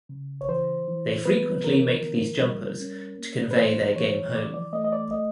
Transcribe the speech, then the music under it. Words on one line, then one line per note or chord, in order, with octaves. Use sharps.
They frequently make these jumpers to convey their game home.
C#3
C#5
E3 C5
E3
B3 B4
E3 A#4
D3
G3
C#4
A#3
B4
E3 C5
E3 C#5
E3 D5
D5
A3 D#5
D#5
D5
A3 D#5